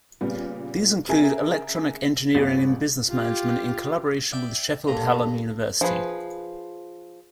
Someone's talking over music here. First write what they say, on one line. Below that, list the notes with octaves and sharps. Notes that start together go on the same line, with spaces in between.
These include electronic engineering and business management in collaboration with Sheffield Hallam University.
A#2 C#3 G3 B3
C#3 G#4 A#4 E5 G#5
G1 C#2 C#4 A6
F4 G4
D5 E5 G5
G2 A#2 A4 A#5
F3 G#4 B4